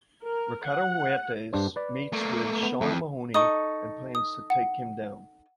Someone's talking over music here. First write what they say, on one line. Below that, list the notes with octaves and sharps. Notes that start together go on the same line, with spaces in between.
Ricardo Huertas meets with Sean Mahoney and plans to take him down.
A#4
F#5
G2 D4 C5
B4 D5
A3 A#3
B3
F2 A3
D#4 A4 C#6 D#6
D#6
F#5